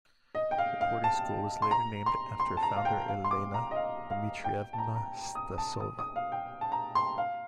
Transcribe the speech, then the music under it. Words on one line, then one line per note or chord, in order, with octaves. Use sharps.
The boarding school was later named after founder Elena Dmitrievna Stasova.
D#5
G5
F5
F5
A5
C6
A#5
C6
C6
A5
A#5
F5
G5
F5
C6
D6
A#5
D#5
F5
F5
G5
A5
A#5
A#5
D#6
A5
D#6
D#6
F5
G5
A5
A#5
C6
F5